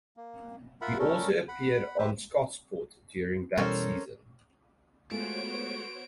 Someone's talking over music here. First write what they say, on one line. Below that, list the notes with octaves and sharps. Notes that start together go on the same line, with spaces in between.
He also appeared on "Scotsport" during that season.
A#3
F4 A#4 E5 F#5 B5
G3 A3 C#4 A4 A#4
F#5 B5
G4 B4 C5 E5
B2 E3 G3 C#4 A4 A#4 C5
G#3 A3 B3 F4 F#4 C5 C#5 D7